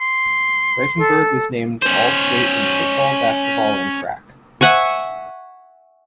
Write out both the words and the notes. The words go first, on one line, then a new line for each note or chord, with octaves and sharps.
Rifenburg was named All State in football, basketball and track.
C6
A4
C#4 C5
E5 F#5 G#5 C#6